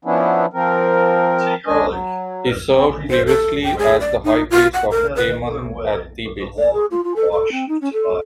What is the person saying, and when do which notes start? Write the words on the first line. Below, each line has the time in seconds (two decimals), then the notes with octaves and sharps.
He served previously as the High Priest of Amun at Thebes.
0.05 F3 B3 C#4 D4 E4
0.53 F3 C4 A#4
1.67 G#3 C#4 D4 D#5 G#5
1.88 F#3
2.73 C4 C#4
3.10 C5
3.27 A4
3.64 G5
3.79 G#4
4.00 D5
4.24 D#4
4.50 F4
4.73 F#5
4.91 A#4
5.16 B4
6.58 D5
6.73 G#4
6.91 F4
7.04 F4
7.16 A4
7.32 A4
7.52 C4
7.68 D#4
7.81 C#4
7.93 A4